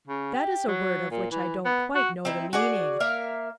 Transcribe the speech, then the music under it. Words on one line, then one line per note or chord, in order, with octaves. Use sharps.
"That is a word of which I don't quite know the meaning."
C#3
G4
F#3
A#2
E3
B3
F#4
C4 D#4 E4
F#4 G#4 D5
A#3 A#4 E5 F5